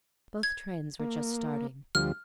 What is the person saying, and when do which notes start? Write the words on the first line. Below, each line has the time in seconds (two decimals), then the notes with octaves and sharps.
Both trains were just starting.
0.43 G#6
1.00 A#3
1.95 D2 F3 G3 F6